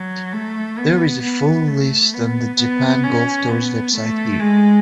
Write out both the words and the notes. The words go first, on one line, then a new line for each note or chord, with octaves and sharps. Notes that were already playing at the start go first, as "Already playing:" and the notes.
There is a full list on the Japan Golf Tour's website here.
Already playing: F#3
A3
B3
B3
A3
B3
B3
C#4
B3
A3
G#3